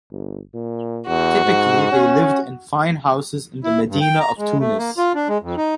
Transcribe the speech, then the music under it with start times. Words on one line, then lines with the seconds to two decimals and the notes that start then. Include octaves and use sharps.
Typically they lived in fine houses in the medina of Tunis.
0.11 G1
0.54 A#2
1.07 E2 F#4
1.45 G#2
1.92 C#4
3.64 E4
3.88 G2
4.01 G5
4.20 A#5
4.38 G#3
4.60 A3
4.78 A#3
4.98 F4
5.15 D4
5.28 G#3
5.42 F2
5.57 D#4